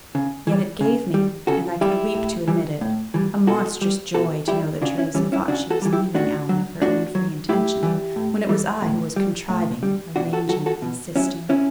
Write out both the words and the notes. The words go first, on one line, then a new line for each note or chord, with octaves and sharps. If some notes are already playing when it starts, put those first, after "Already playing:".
Yet it gave me, and I could weep to admit it, a monstrous joy to know that Theresa thought she was leaving Allan of her own free intention, when it was I who was contriving, arranging, insisting....
C#3
E3 G3
C#3
G3
C#3 F#4 A4
G3 E4 G4
A2
E3 G3
A2
E3 G3
B2 F#4 A4
G3
B2 F#4 A4
G3 E4 G4
C#3 D4 F#4
C#4 E4
E3 G3 C#4
C#4 E4
C#3 D4 F#4
F#4 A4
E3 G3
E4 G4
A2 D4 F#4
F#3
A2 D4 F#4
F#3
A2 E4 G4
E3 G3
A2
E3 G3
A2
G3
A2
G3
B2 D4 F#4
F#4 A4
F#3 F#4 A4
F#4 A4
B2
F#3 C#4 E4
C#3 C#4 E4